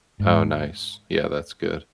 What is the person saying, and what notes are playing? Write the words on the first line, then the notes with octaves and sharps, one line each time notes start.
Oh, nice. Yeah, that's good.
G#2